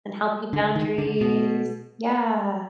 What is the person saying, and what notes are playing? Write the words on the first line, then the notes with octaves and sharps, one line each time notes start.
And healthy boundaries, yeah.
D3
D#3
D3
B2